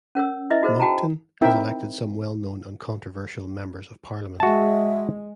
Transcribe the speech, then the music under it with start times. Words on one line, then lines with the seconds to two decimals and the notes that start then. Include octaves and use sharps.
Moncton has elected some well-known and controversial Members of Parliament.
0.15 C#4 A#4 C#5 E6
0.50 E4 B4 D#5 E5
0.62 D#4 F#4 G#4 A#4 C5
0.80 F#4 G5 A5 A#5
1.41 C4 D#4 E4 A#4 E5 G5
4.40 G#3 F#4 E5 A5